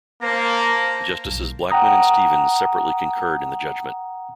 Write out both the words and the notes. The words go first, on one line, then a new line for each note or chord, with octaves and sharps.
Justices Blackmun and Stevens separately concurred in the judgment.
A#3 C5 A5 A#5
B1
F#5 G5 A#5 D#6